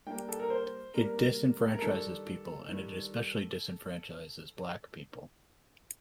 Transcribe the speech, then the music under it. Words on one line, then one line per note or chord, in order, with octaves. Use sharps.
It disenfranchises people and it especially disenfranchises black people.
G3 A#3 D4 G5
A4
A#4
C5
G3 A#3 D4 A#4
A#4
D#3 G3 D4 A4
D#3 G3 D4